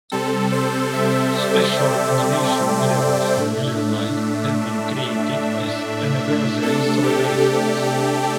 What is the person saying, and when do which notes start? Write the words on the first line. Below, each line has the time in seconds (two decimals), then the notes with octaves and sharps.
Special animation videos for Million Live have been created as anniversary celebrations.
0.12 C3 G3 C4 A4
0.52 C5
0.93 E5
1.35 D5
1.74 G5
2.56 E5
2.97 E5
3.37 A2 A3 D4
6.62 C3 A3 D4 A4
7.03 G4
7.44 A4
7.84 A4